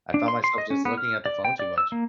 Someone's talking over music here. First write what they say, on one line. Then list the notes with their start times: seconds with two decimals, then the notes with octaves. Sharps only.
I found myself just looking at the phone too much,
0.14 D4
0.28 C6
0.44 C6
0.58 D#5
0.70 C#4
0.85 B3
0.97 F6
1.26 D5
1.45 G5
1.59 D5
1.78 E6
1.92 A#3